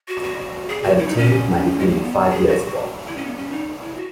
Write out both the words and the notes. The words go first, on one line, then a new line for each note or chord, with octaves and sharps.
I obtained my degree five years ago.
F#4
F#4
G#4
F#4
E4
D#4
C#4
G#3
A#3
B3
G#4
F#4
E4
C#4
B3
C#4
D#4
E4
F#4